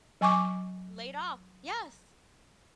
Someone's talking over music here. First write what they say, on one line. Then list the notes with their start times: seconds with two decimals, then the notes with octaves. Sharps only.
Laid off. Yes.
0.21 F#3 G#5 C#6 D6